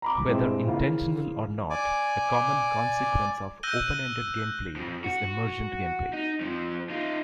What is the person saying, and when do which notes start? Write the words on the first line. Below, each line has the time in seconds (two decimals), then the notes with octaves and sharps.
Whether intentional or not, a common consequence of open-ended gameplay is emergent gameplay.
0.02 A#5 B5 D6
0.28 G2 G#3 C4 E4
0.66 C#3 E3 A#3 F4
1.70 D5 G#5 D6
3.63 E6 F#6 G6 A#6 D#7 G7
4.76 F2
5.04 F#4
6.13 D#4
6.41 F2 F3
6.90 D#4 F4